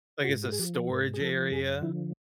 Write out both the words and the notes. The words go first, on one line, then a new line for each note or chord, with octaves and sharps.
Like, it's a storage area.
F#4
G#2 F4
F#4
G#4
F3 G4
A4
G#2 A#4
G#4
F3 A4
F#2 G#4
D3 F3 E4